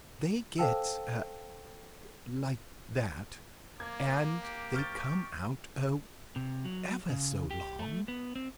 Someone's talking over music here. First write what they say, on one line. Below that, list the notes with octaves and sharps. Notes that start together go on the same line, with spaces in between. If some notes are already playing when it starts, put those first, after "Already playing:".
"They get--like that--and they come out, oh, ever so long!"
A4 C5 F5 G5 A5 E6
A#3 D6 G#6
G4
C#6 F6 G6 A6
C3
F#3
C#3
G4
A3
B3
C4